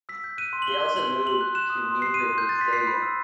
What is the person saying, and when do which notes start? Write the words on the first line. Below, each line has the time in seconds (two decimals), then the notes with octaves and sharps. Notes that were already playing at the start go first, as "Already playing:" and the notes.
They also moved to New River Stadium.
0.09 E6 B6
0.24 G6
0.38 F#6 D#7
0.53 C6
0.62 F#7
0.67 F#6 G7
0.82 C6
0.96 C6 F#7
1.12 C6
1.26 C6 F#7
1.41 F#6
1.55 F#6 E7
1.70 D#6
1.85 C6
2.00 F#6 C7
2.14 C6 D#7
2.29 C6
2.38 G6
2.44 F#6
2.49 A6
2.59 C6 B6
2.73 G6 C7
2.87 B5
3.02 E6